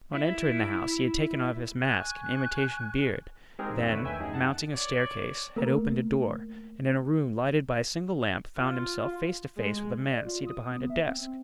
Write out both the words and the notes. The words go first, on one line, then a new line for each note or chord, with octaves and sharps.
On entering the house he had taken off his mask and imitation beard, then, mounting a staircase, had opened a door, and in a room lighted by a single lamp found himself face to face with a man seated behind a desk.
E4
G#5 C#6 F#6
G#3 C4 D#4 G4 G#4 A#4
G1 E2 E6
D3 A3 B4 C#5
D#2 E5 G5 G#5 E6
F#2 D#4 G#4
F#5 A5
C#5 D5
A3 A#3 A#4
F4
G#3
D5
F4
D#6
B3
E5
C4